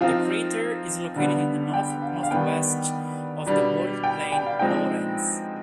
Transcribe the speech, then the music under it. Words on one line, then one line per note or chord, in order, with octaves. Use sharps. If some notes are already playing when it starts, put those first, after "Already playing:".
This crater is located to the north-northwest of the walled plain Lorentz.
F3 C4 D#4 F5
D3 G3 B3
G5
F5
F5
D#3 G3 B3 G5
B2 G3 D4
G5
G5
F5
F3 G#3 C4 D#4 G5